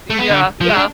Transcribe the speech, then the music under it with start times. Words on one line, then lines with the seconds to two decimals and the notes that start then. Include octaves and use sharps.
Yeah, yeah.
0.10 A3
0.19 B3
0.30 D3
0.61 F3
0.68 G#3
0.77 D4